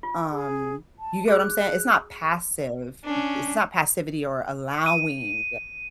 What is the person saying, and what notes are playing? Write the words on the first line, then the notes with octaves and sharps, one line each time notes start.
um, you get what I'm saying? It's not passive it's not passivity or allowing,
F4
G#4
A5
F#4 G#4 F#6
C#4 D4
D#7